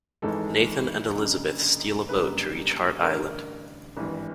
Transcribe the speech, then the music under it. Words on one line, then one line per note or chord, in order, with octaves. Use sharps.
Nathan and Elisabeth steal a boat to reach Hart Island.
G#1 G#2 E3 G#3 A4
F#1 F#2 D3
F#1 F#2 D3 G3 A#3 B4
A1 G2 D3 A#4
G#1 G2 E3